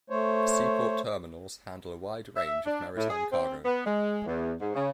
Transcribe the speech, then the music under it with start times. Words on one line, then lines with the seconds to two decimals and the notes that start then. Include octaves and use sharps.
Seaport terminals handle a wide range of maritime cargo.
0.10 A3 C5 C#5
2.36 E5
2.66 D4
2.97 A2
3.10 G#4
3.32 C4
3.65 B3
3.85 G#3
4.26 E2
4.60 G#2
4.75 C#3